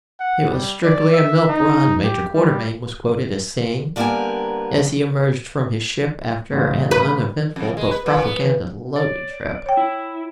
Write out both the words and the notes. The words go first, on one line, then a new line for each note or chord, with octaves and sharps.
"It was strictly a milk run," Major Quartermain was quoted as saying as he emerged from his ship after an uneventful but propaganda-loaded trip.
F#5
G3
D5
E5
D#4
G4
G3
D3 G3 A#3 B3 A#4 G#5
A1 C#3
B4
F2
G#3
B4
A#2
B3
D#2
C#5 D5
C#5 G5
E4